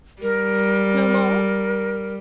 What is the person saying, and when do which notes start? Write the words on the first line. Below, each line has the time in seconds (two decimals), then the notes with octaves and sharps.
"No more?"
0.22 G3 A#4